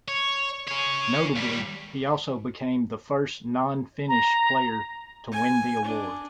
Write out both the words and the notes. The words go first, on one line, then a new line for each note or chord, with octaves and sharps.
Notably, he also became the first non-Finnish player to win the award.
C#5
G#4 C#5
D#2 G3
A#5
G#5
D4